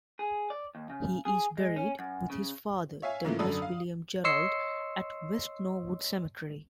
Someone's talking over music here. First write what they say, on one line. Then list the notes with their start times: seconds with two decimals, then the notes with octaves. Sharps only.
He is buried with his father Douglas William Jerrold at West Norwood Cemetery.
0.19 G#4
0.50 D5
0.75 D#2
0.90 C#3
1.25 G#4
1.57 G#3
1.76 C#4
1.99 F#2
2.30 C#3
3.02 C#5 E5 F5 G#5
3.25 G#2 C#3 E3 F3 A3 A#3
3.39 F#2 D3 A4 D5 B5 D#6
3.62 F5
4.24 C#5 D#5 C6 E6 C7 C#7